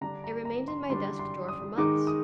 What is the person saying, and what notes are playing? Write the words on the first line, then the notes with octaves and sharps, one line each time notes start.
It remained in my desk-drawer for months.
D3 G3 D4 A#5
A#5
A#5
C6
D3 G3 D4 C6
C6
D#6
D#3 G#3 D#4 D6
D#6